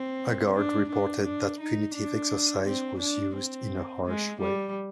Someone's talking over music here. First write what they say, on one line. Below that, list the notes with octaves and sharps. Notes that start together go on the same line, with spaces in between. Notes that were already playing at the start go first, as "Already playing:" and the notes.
A guard reported that punitive exercise was used in a harsh way.
Already playing: C4
D4
D4
D4
D#4
D4
C4
D4
C4
G#3
G3